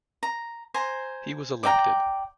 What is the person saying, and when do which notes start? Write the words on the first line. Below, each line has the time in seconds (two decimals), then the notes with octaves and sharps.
He was elected.
0.23 A#5
0.74 C5 G#5 A#5
1.63 D5 G5 A#5